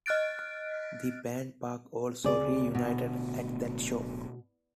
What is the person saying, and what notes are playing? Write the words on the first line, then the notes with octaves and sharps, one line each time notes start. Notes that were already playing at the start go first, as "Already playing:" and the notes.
The band Park also reunited at that show.
D#5 F6 F#6 A6 D7
D2 C#3 C4 G#4 D5
D1 D2 B2 B3